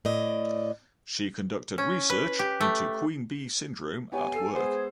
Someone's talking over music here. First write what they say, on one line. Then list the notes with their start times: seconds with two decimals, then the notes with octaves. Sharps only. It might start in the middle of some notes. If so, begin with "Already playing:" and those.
She conducted research into Queen bee syndrome at work.
0.05 A2 D5 D#5
1.78 C#4
2.10 B4
2.39 G4
2.61 A3
4.12 B3 G4 C#5 G#5
4.33 A4 E6 C7
4.55 G#3 B3 G#4 C5